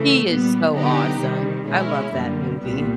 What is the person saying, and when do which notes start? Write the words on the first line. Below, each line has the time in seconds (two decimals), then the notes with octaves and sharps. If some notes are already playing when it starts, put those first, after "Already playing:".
He is so awesome. I love that movie.
Already playing: C#3 E3 A3
0.26 A#2 G3 B3
0.73 D3 F#3 B3 D#4 G4
1.19 C3 D#3 G3
1.66 B2 G#3 C#4 E4
2.13 F#2 D3 G3 A#3
2.59 C2 A#2 G3 B3